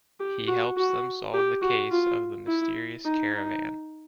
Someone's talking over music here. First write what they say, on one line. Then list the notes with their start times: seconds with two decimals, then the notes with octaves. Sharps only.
He helps them solve the case of the Mysterious Caravan.
0.20 G4
0.48 F#4
0.77 F#4
1.34 G4
1.62 F#4
1.91 F4
2.47 E4
3.05 D#4
3.33 D#4